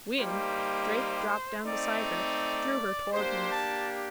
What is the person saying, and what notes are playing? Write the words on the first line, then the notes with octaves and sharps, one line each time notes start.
"Win?" Drake dropped down beside her, drew her toward him.
G3 A#3 D#4 G4 C5
A3 C4 D#4 D5
D5
A#3 D4 G4 C5
A5